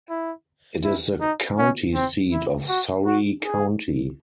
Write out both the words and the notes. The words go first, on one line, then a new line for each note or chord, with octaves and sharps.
It is the county seat of Surry County.
E4
E4
D#4
C#4
C4
E4
F#4
F#4
G#4